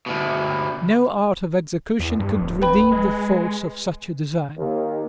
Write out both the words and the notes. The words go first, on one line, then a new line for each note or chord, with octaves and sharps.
No art of execution could redeem the faults of such a design.
D2 B2
E2
G2
D1
B4 G5 B5
G#3
D#2